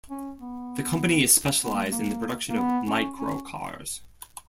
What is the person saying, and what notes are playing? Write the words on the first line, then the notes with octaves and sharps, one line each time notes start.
The company is specialized in the production of microcars.
C#4
B3
B3
A#3
G#3
A#3
A#3
B3
C#4
C#4